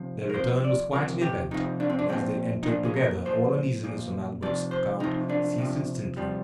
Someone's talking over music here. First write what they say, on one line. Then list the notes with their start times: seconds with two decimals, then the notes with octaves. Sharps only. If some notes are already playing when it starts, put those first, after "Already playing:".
Their return was quite an event, but as they entered together, all uneasiness on Albert's account ceased instantly.
Already playing: C3 F3
0.29 A#4
0.34 C3 F3 C5
0.64 D5
0.93 C3 F3 A#4
1.21 G4
1.51 C3 F3 D#4
1.80 D4
1.89 C4
1.99 D4
2.09 A#2 F3 C4
2.63 D#4
2.68 A#2 F3 D4
2.85 G#4
2.96 A#4
3.25 A#2 F3 C5
3.83 A#2 F3
4.42 C3 F3 D5
4.71 C5
5.00 C3 F3 D#4
5.29 D4
5.58 C3 F3
6.17 C3 F3 G3